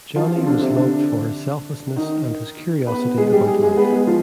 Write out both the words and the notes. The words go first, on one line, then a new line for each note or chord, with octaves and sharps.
Johnny was loved for his selflessness and his curiosity about life.
F3 F4
C4
D3 D4
C3 C4
D3 D4
D#3 D#4
B3 B4
G#3 G#4
G3 G4
G#3 G#4
G#3 G#4
B3 B4
G#3 G#4
F3 F4